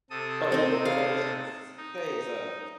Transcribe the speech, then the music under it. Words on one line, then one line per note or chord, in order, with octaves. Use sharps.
Oh, well, what what I was gonna s say is, uh,
C3 A4 D#6
C4 D#4
F5
D#4